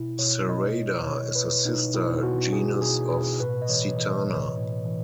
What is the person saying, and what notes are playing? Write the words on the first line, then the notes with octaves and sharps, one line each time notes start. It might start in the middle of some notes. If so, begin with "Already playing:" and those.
"Sarada" is the sister genus of "Sitana".
Already playing: B2 E4
B2 C#5
B2 D#5
B2
B2 C#5
C#5
B2 B4
B2 D#4
B2 E4
B2 F#4
B2 G#4
B2 G#4
B2 G#4
A2 B4
D#5
E3 C#5
E3 D#5
A2 C#5
A2
E3